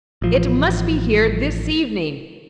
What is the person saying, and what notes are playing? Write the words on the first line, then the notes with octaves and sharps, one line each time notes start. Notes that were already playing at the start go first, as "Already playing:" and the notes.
It must be here this evening!
A1 F3